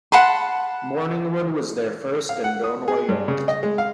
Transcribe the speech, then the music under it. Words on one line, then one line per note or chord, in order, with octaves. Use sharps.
Morningwood was their first and only act.
F#5 A5 B5 C6
F5
F#5
D#6
G#4
G2
C#3
D#5
G#3
F5